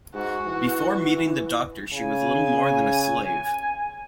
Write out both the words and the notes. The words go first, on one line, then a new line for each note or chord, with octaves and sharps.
Before meeting the Doctor she was little more than a slave.
G#2 F#4
E3
C#3 G#5